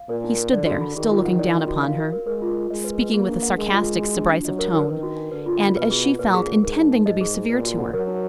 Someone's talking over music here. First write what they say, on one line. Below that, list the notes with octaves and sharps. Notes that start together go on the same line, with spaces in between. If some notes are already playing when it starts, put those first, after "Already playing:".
He stood there, still looking down upon her, speaking with a sarcastic subrisive tone, and, as she felt, intending to be severe to her.
Already playing: F5
A#2 A#4
D#4
D#4
D3 D5
F#4
B5
D#3 G#4
F4
F#5
D5
F#4
F#4
F5
A#4
A#4
G#3 A#4
F4
F4
G#3 D#5
B4
B4
A#3 G#4
D4
F#5
G#3 A#4
F4
G#5
F#4
D4
D4
F#3 D#5
A#4
A#4
D#3 B4
F#4
G#5
D3 B4
F4
B5
B2 B4
G#4
F#5
A#2 B4
G#4
F#5
G#2 A#4
D#4
D#4
G#2 D#5
G#4
G#4
A#2 B4
F#4
F#5
F#3 A#4
D#4